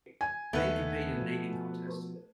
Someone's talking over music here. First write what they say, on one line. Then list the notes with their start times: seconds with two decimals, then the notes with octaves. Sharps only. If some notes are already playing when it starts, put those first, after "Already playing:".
Men compete in an eating contest.
0.21 G#5
0.53 D#2 D#3 A3 B3 B4
1.17 B2 F3